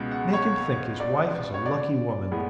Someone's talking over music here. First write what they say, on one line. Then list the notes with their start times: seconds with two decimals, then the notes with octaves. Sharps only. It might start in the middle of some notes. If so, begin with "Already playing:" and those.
Make him think his wife is a lucky woman.
Already playing: C#2 B2 G#3 B3
0.11 F#5
0.33 C#5
1.00 D5
1.54 C#5
1.66 D5
2.31 A2 G#3 B3